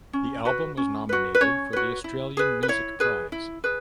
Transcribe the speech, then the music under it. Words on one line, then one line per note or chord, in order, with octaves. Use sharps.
The album was nominated for the Australian Music Prize.
C#4
F#4 B4
C#4
F#4 B4
B4
C#4 C#5
F#4 B4
E4
G#4 B4
B4
E4 C#5
G#4 B4
E4
G#4 B4